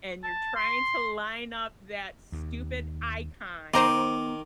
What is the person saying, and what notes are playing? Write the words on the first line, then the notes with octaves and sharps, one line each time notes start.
and you're trying to line up that stupid icon,
A5
C6
D#2
D#3 B3 C5 A#5 C6 D6